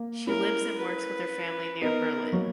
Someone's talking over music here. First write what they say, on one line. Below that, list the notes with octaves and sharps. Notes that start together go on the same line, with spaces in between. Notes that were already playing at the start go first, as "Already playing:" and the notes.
She lives and works with her family near Berlin.
Already playing: A#3
C#4 E4 A#4
B4
B3 D#4 A#4
F#3 A#3